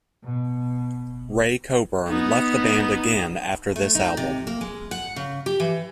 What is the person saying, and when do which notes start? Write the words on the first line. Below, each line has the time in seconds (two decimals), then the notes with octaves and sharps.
Ray Coburn left the band again after this album.
0.24 B2
2.08 B3 D#4
3.76 A3
3.95 D#4
4.17 C3
4.47 A#3
4.61 G#3
4.91 F#5
5.16 C#3
5.46 G4
5.60 E3